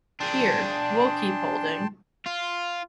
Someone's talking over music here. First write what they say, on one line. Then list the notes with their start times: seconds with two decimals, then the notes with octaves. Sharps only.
Here, we’ll keep holding.
0.20 D4 G#4 G5 A5 C6
2.26 F4